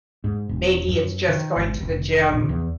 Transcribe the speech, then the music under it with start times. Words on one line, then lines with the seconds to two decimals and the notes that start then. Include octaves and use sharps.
Maybe it's just going to the gym
0.24 G#2
0.49 E1
0.89 F#2
1.28 D#3
1.56 G#1
1.80 F1
2.32 A#1
2.49 E2